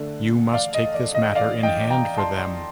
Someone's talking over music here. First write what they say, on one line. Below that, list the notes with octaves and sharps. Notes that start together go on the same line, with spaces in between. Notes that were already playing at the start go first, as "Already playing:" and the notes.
You must take this matter in hand for them.
Already playing: D3 A3 D4
D5 F5
D#5
D5
D#5
D5 F5
D#5 G5
G5 A#5
A5 C6